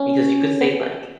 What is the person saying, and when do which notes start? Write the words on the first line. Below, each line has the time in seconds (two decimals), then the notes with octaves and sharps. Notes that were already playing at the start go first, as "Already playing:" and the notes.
because you could say, like,
Already playing: C#4
0.61 B3